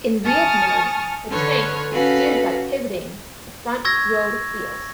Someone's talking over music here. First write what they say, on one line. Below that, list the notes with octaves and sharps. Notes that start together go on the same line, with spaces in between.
In wheeled mode, the tank was steered by pivoting the front road wheels.
G#5 A5 C#6 D#6 F6 A6
D3 A4 B4 C#5 F6
C#4 F#4 A4 B4 F5
C#6 E6 G#6 A#6